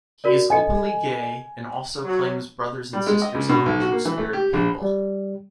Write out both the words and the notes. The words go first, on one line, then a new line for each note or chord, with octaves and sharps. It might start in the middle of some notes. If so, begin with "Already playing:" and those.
He is openly gay, and also claims brothers and sisters among Two-Spirit people.
F#4 A#4 D5
A4 D#5 G#5 C#7
F#3
G3
G#3
D#5
C#2
B2
B1
F#4
A#3
E3
A3
G4
A#1
G3